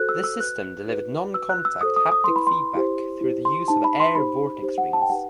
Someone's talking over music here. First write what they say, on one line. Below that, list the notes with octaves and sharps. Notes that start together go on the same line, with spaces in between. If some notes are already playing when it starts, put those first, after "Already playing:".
This system delivered non-contact haptic feedback through the use of air vortex rings.
Already playing: F#4 A4 C5 F#6
E6
E6
F#4 B4 F#6
D#4 F#4 B4
F#4 B4 E6
F#6
E6
F#4 A4 C5 D#6
D#6
D#6
E4 B4 C6
B5
C6
E4 G4 C5
E4 G4 C5
C6
D#4 G4 C5 A5
B5
C6
D#4 G4 C5 B5
D#4 G4 C5
F#5
A5
G5
D#4 G4 B4 F#5